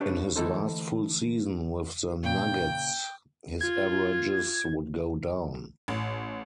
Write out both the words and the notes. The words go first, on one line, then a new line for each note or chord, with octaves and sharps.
In his last full season with the Nuggets his averages would go down.
D4 G4 B4 C#5
D2 E3 D#4 A4 C5
A#2 C#3 G5
F4 G#6
A1